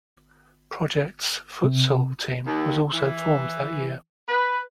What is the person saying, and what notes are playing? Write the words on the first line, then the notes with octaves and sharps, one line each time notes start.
Project's futsal team, was also formed that year.
C3
D#2
E3
B4